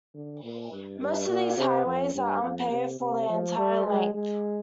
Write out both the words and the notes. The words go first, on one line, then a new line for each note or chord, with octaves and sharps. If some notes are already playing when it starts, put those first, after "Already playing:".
Most of these highways are unpaved for their entire length.
D3
A#2
G2
G2
A#2
C3
F2
G2
F2
C3
C3
F3
G3
G#3
G#3